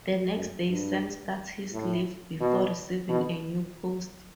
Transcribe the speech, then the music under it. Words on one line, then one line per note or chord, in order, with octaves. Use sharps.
The next day Sam starts his leave before receiving a new post.
F#2
G2
A2
B2
B2